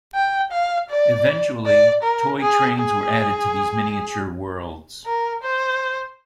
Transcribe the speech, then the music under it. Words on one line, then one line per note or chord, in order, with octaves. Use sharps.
Eventually, toy trains were added to these miniature worlds.
G5
F5
D5
D5
A#4
G#4
G#4
A#4
C5